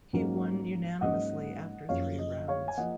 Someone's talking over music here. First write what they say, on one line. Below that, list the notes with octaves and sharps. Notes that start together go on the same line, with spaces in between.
He won unanimously after three rounds.
G#2 F#3 A#3 C#4
G#2 F#3 A#3 C#4 D#5 F#5
F#2 F3 A#3 C#5 F5
D#5
C#5 F5
G#5
F3 A#3 D#5 F#5